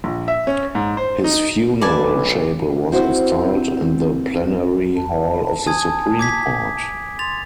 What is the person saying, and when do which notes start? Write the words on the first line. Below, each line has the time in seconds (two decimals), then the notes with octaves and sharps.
His funeral chapel was installed in the plenary hall of the Supreme Court.
0.04 A#1
0.28 E5
0.47 C#4
0.75 G#2
0.97 C5
1.24 D#4
1.81 B1 B4 D5 G#5 A5
2.92 C4 E4 F#4 C5
4.96 A5
5.66 G#5 D#6 G#6
6.19 D6 G#6 B6
7.19 C6 A6 F7